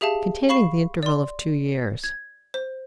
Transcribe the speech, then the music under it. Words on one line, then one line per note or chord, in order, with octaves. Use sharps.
Containing The Interval Of Two Years.
G4 G#4 E5 F5 A5
F5 B5 C#6 C7 E7
D5 C6
G#6
C5